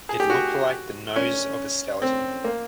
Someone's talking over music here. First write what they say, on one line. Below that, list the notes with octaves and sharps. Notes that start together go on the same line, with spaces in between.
It looked like the nose of a skeleton.
G#4
G4
F#4
C#4
C4
A#3